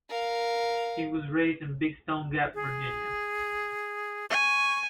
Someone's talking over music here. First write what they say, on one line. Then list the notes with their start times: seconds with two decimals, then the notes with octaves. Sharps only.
He was raised in Big Stone Gap, Virginia.
0.10 A#4 F5
2.55 G#4
4.30 G#5 C#6